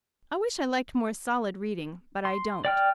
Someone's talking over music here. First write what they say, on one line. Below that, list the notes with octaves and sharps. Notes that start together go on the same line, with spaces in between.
I wish I liked more solid reading; but I don't.
C6
D5 G5 F6